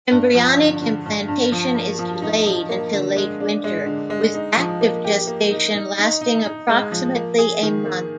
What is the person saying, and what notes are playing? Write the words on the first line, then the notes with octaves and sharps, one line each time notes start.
Embryonic implantation is delayed until late winter, with active gestation lasting approximately a month.
G2
F3
D3
D3
G2
G2
F3
A#3
F3
D#4
F3
A#3
D3
G#3
D4
G#3
D3
G#3
D#4
F3
A#3
G4
A#3
D#4
D#4
D#4
D#4
D#4
G#3
F3
A#3
G#4
D#3
A#3